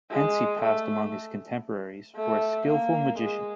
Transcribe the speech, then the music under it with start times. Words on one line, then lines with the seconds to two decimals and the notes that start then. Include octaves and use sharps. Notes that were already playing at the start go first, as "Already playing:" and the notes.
Hence he passed among his contemporaries for a skilful magician.
0.11 G#3
0.62 A3
2.16 A3
2.67 A#3
3.19 G#3